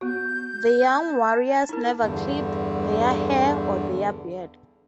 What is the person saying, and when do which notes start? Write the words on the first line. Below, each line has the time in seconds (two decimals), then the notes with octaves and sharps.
The young warriors never clipped their hair or their beard.
0.01 B3 F#4 G6
1.05 A5
1.69 D#4 E4 A#4
2.01 E2 G2 D3